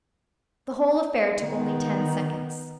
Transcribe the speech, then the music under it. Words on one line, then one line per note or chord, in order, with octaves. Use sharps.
The whole affair took only ten seconds.
D#3 B3